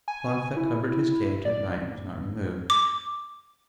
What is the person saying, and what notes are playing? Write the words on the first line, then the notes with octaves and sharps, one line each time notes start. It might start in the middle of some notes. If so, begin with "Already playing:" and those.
The cloth that covered his cage at night was not removed.
G#5
E4
D5
D6